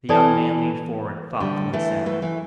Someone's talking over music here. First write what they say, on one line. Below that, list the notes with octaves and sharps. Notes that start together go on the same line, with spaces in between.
The young man leaned forward, thoughtful and sad.
E3 A4 D5 A5
D3 G3
E3 A3
E3 A3
E3 A3